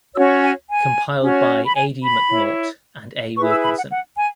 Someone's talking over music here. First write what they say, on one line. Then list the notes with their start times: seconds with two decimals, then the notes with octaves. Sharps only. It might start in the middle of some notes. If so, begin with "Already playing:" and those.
Compiled by A. D. McNaught and A. Wilkinson.
0.15 C#4 F#4 C#5 E6
0.42 G#5
0.69 G#5
1.22 C#4 F#4 C#5
1.66 B5
1.75 G#5
2.02 B5
2.30 E4 C#5
3.36 E4 G#4 B4 C#6
3.50 E6
3.63 B5
3.77 F#5
3.90 F#5
4.16 G#5